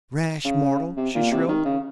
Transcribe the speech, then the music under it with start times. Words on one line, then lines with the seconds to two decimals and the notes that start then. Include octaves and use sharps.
"Rash mortal!" she shrilled.
0.44 C#3
0.97 C3
1.15 A#2
1.32 C3
1.48 D#3
1.65 C#3